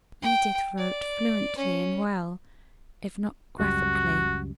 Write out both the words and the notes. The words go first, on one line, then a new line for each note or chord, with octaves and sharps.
Edith wrote fluently and well, if not graphically.
G5
D5
C#4
C#2 F#2 G3 F#4